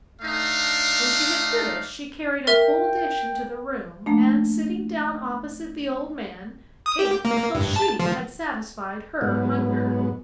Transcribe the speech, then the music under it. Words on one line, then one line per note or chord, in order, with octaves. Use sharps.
When she had finished she carried a full dish into the room, and, sitting down opposite the Old Man, ate till she had satisfied her hunger.
A3 D4 D#4 F5
A#4 E5 G5
F3 A3 A#3 D4
D#6
G4
A#3
G2
A5
F3
G#2 F#3 B3